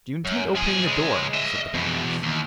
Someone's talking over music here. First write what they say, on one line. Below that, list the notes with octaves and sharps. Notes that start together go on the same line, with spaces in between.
"Do you intend opening the door?" said the baroness.
F#2
F3 G#4
C#2 G#3
D#5 E5
E2 B2
D#2